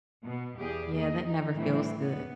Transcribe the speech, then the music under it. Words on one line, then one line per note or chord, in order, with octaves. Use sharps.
Yeah, that never feels good.
B2
E2 G4 G#4 D5
A#3 G#4 D#5
D#4
A2 E3 G3 C4 E4
B3